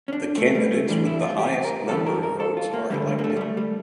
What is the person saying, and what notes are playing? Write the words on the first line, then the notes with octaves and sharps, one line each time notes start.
The candidates with the highest number of votes are elected.
C#4
D4
A3
G3
A3
A2 E3 G3 D4
E4
F4
G4
A#4
G2 E3 G3 A4
A#4
A#4
A4
F4
A#3
G2 D3 G3 A3
G3
A#3
A3
G3
A3
G3